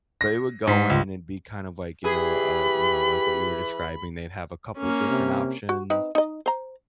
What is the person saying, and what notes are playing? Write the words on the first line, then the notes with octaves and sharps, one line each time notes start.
But it would go in and be kind of like, you know, uh, you know, like what you were describing. They'd have a couple different options.
A#6
G#2
C#2
E3 G4 G#4 B5
A#3 C#4
C3
F#4
C4 D#4 B4
D#4 D#5
C5 A#5